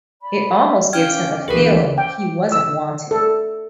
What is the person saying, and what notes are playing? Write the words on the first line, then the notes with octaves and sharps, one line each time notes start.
It almost gives him a feeling he wasn't wanted.
D5 B5
C#4 F5 G5 D6 F6 G#6
D2 E3 G4 G#4 A#4 B4
G5
E6
A4